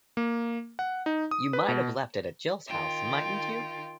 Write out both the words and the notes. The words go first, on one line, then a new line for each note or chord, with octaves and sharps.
You might've left it at Jill's house, mightn't you?
A#3
F#5
D#4
D#6
B4
B2
D#3 F4 G5